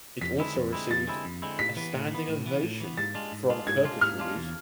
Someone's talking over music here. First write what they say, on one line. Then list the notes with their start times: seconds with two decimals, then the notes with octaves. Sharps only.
It also received "a standing ovation" from "Kirkus Reviews".
0.21 F2 B6
0.39 D3 G#3 C4 E4
0.56 F2
0.73 D3 G#3 C4 E4
0.91 F2 A6
1.07 D3 G#3 C4 E4
1.25 F2
1.42 D3 G#3 C4 E4
1.59 A2 B6
1.76 E3 B3
1.94 A2
2.11 E3 B3
2.28 A2
2.46 E3 B3
2.63 A2
2.81 E3 B3
2.97 G#2 A6
3.15 G#3 D4 F4
3.32 G#2
3.50 G#3 D4 F4
3.67 G#2 G#6
3.84 G#3 D4 F4
4.01 G#2 F6
4.19 G#3 D4 F4
4.36 E2